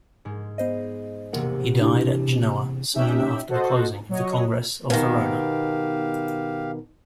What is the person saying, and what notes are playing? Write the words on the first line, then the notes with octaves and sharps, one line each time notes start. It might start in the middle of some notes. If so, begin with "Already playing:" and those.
He died at Genoa soon after the closing of the Congress of Verona.
G#2 G#3
B3 C5 D#5
E1 C3 A#3 A#4 F#5
D4 E4 G4
C#4 D#4 G4 E5
F#4 A4 C5 D#5 F#5
F#3 C#5 D#5
B2 D#3 G4 F5